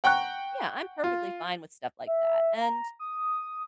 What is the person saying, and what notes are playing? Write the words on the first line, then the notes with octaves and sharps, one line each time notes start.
Yeah, I'm perfectly fine with stuff like that. And,
F#5 G5 A#5 C#6 F#6
F4
E5
A#5
D#6